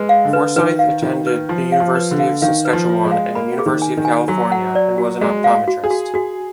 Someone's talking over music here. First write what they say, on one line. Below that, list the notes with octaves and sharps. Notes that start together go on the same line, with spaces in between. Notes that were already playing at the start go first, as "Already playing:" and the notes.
Forsyth attended the University of Saskatchewan and University of California and was an optometrist.
Already playing: G#3 B4
F5
D3
B4
D#3 B4
F5
D#3 F4
B4
F3 F4
F5
F3
B4
D3
F5
D#3 F5
B4
F3
F4
G#3
F5
A#3 B5
G#4
D#3
G#5
D#3
G#5
F#3 F#4
F#5
D5
F#4
G#3 F#4
F5
F#4
G#4
F#4
F#4 G#4